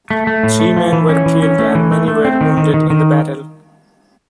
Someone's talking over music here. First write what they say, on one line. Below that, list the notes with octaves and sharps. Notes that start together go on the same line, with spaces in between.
Three men were killed, and many were wounded in the battle.
A3
A3
A2
A3
F3
E3
C#4
E3
C#4
A3
E3
A3
A3
C4
D#3
D#3
D#3
D#3